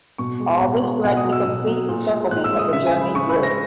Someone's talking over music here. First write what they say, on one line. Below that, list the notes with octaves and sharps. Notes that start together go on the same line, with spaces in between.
All this threatened the complete encirclement of the German group.
B2 C#6
G#3
B2
G#3
B2 F#5
D#6
F#3
E6
B2
F#3
A#2
G#3
A#2 F#6
E6
G#3
D#6
C#3 E5
G#5
G#3
B5
C#3 C#6
B5
G#3
A#6